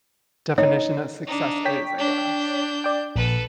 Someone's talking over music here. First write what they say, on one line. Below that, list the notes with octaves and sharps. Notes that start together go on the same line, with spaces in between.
definition of success is, I guess.
D#4 C#5
D4 D#4
C#5 G5 B6
D4 G6
D5 G5
A#1 A4 B4